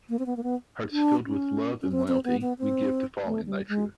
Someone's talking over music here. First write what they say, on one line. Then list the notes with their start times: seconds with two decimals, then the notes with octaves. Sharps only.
Hearts filled with love and loyalty, we give to follow in thy truth.
0.09 A#3
0.19 C4
0.26 B3
0.37 A#3
0.43 B3
0.92 D4
1.26 C#4
1.82 C#4
1.91 C4
2.08 C4
2.25 B3
2.42 B3
2.59 C4
3.25 A3
3.46 G3
3.69 G#3